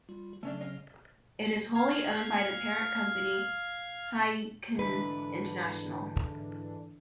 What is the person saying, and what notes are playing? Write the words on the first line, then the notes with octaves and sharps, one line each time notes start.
It is wholly owned by parent company Heineken International.
G3 F4
C#3 F#3 A3 C#4 D4
C#4 D#5 F5
F5 G#6
G#2 D3 E3 D4 B4